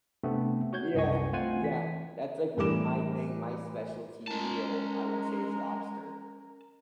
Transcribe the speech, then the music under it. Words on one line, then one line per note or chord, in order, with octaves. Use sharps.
Yeah, yeah. That's like me, my thing- my specialty meal- I would say, is lobster.
C3 A3 B3 C4 D4
F#4 C#5 G6 G#6
C2 F#2 D#5 G5 G#5 C#6
A3 C4 F4 C5 F#5 G#5
E3 B6
A2 E3 G3 A#4 D6 E7
G#3 C#4 A#4 A5